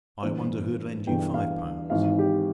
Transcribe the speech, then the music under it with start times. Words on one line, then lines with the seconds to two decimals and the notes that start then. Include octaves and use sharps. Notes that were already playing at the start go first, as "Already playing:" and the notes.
I wonder who'd lend you five pounds?
0.23 G1 G2 E3 C5
1.06 G1 G2 E3 G5
1.34 F5
1.90 G#1 G#2 E3 F5
2.19 G4